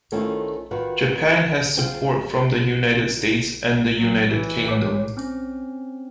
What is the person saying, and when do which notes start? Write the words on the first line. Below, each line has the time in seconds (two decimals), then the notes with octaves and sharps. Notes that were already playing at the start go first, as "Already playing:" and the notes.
Japan has support from the United States and the United Kingdom.
0.12 D#3 A3 C4 C#4 E4 F4
0.71 D#3 F4 F#4 B4
1.77 F4 G#4 C5 G5
3.96 F#3
4.24 E3
4.68 C#5 D6
5.17 C4 C#4